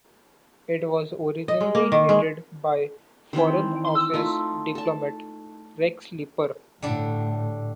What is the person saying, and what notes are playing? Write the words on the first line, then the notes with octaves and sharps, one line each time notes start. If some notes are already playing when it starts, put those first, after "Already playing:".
It was originally headed by Foreign Office diplomat Rex Leeper.
D#5
G#3
A#3
D#3
G#3
D#3 E3 C4 G5
A3 D#4 F4
A4 A5
A2 D3 G3 D4